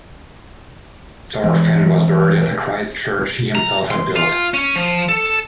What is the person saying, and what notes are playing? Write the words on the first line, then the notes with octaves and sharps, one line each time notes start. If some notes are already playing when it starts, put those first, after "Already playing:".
Thorfinn was buried at the Christ Church he himself had built.
E3 G#3
A#5
C6
F4
C#4
F3
A4